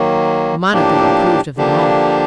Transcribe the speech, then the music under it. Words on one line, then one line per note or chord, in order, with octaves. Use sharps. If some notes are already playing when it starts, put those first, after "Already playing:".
Monica approved of them all.
Already playing: D#3 F#3 A#3
A2 F3 A#3 D4 G4
D3 F3 A#3 D4 G4